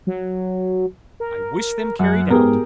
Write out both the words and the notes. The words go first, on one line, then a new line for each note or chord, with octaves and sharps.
I wish them carried out.
F#3
A#4
F#2 F#5
G#2 B3 G4 G#4 A#4